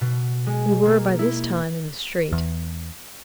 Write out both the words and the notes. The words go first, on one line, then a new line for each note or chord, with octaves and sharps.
We were by this time in the street.
B2
G#3
A#3
E4
E2